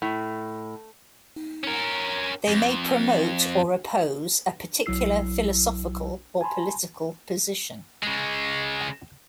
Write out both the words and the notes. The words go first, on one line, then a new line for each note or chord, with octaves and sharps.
They may promote or oppose a particular philosophical or political position.
A2
C#4 A#4
F2
B1 F#3 E4 E6 C7
G#5 A5 B5 C6
C#3 G#3